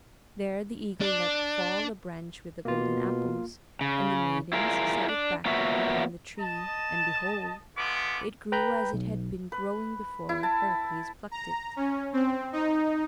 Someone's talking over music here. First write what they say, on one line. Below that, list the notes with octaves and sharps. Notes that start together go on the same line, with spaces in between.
There the eagle let fall the branch with the golden apples, and the maidens set it back upon the tree, and behold! it grew as it had been growing before Heracles plucked it.
D4
B2 A#3 F4
C#3
E4 F4 G#4 A#4
D4
A#3 B3 F4 F#4 C#5 E5
D#5 A5
G#3 A3 B3 F4 D6
B4 G5 A#5 B5 G6
B1
B4
E4
A5
A#5
C#4
C4
D#4